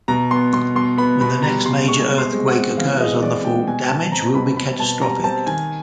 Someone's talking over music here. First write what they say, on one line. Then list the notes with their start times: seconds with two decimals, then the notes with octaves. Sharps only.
When the next major earthquake occurs on the fault, damage will be catastrophic.
0.08 B2 A#5
0.31 B3 C6
0.53 B2 C6
0.75 B2 C6
0.97 B3 B5
1.21 B2 B5
1.43 G3 A#5
1.66 B2 C6
1.88 G#3 C#6
2.11 C4
2.18 C6
2.33 G#3
2.48 F#5
2.55 C4
2.77 E3 F5
3.00 G#3 D#5
3.22 E3 D5
3.45 G#3 G5
3.67 B2 G#5
3.89 B2 A5
4.12 C4 A#5
4.34 B2 B5
4.57 B2 B5
4.79 B2 A5
5.02 G3 A#5
5.24 C4 A5
5.46 D#3 G#5